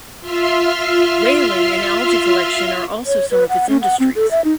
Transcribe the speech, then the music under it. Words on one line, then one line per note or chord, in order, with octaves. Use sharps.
Whaling and algae collection are also some of its industries.
F4 E5 C6 F6
C#5
B4
F#5
C#4
F#5
C4
A4
E5
D#4